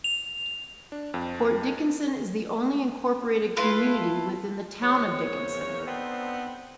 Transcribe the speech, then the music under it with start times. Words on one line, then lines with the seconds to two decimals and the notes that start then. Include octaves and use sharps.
Port Dickinson is the only incorporated community within the town of Dickinson.
0.04 F7
0.92 D4
1.14 F2
3.57 E4 F4 A4 B4
4.83 E2 A#3 C5 C#5
5.86 B3 C4 D4 D#4 A4 C5